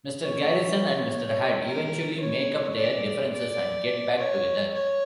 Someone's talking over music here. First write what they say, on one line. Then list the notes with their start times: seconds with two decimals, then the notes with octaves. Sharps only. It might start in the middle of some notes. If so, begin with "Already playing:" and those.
Mr. Garrison and Mr. Hat eventually make up their differences and get back together.
0.23 C#5
1.07 C#5
1.64 A#4
2.20 C#5
2.77 D5
3.33 D5
4.18 C#5
4.74 C#5